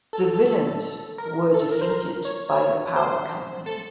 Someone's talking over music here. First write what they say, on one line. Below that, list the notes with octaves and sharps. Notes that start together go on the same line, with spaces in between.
The villains were defeated by the Power Company.
A4
A4
A#4
A4
A#4
C5
A#4
C#5
C#5
C5
A4